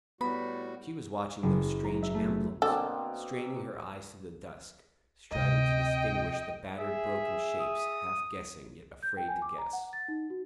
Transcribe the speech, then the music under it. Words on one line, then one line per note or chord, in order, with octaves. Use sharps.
She was watching those strange emblems, straining her eyes through the dusk, striving to distinguish the battered broken shapes, half-guessing, yet afraid to guess.
A2 G3 B3 F#4 B5
F#1
A#5
E5
A3
B2 D3 A#3 C4 A4
D2 C3 D#5 G5
G#4 E5
D#6
G6
G5
G#5
D6
A#5
F#5
A6
D#4
F#4